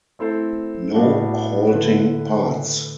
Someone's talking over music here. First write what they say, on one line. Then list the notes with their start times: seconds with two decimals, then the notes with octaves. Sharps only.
No halting parts.
0.19 A3 C4 E4 A4 C5
0.94 A2 G3 B3 D4 F#4
1.70 D3 A3 E4 B4